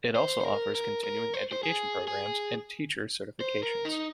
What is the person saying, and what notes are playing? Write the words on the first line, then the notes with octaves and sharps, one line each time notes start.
It also offers continuing education programs, and teacher certifications.
C5
C5
A#4
A#4
A#4
C5
C5
G#4
G#4
C5
A#4
D#4